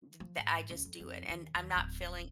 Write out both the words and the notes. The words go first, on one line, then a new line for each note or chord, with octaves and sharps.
th the I just do it and I'm not feeling
F3
G#2
C#2
F2
F2
D#2
D#2
D1